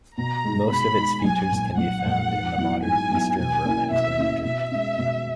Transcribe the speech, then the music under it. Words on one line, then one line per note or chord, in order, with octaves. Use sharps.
Most of its features can be found in the modern Eastern Romance languages.
B2 A#5
G#3 D#4
B2 B5
G#3 D#4
B1 G#5
A#2 G#3
B1 F#5
A#2 G#3
G#2
F#3 B3 E4
G#2 G#5
F#3 B3 E4
B2 G#5
A#3 C#4 E4
B2 E5
A#3 C#4 E4
B2 E5
G#3 C#4
B2